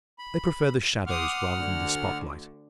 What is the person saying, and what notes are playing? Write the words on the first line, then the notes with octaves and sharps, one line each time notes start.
They prefer the shadows rather than the spotlight.
B5
F#5 C6 D6 D#6 F6
D2 D3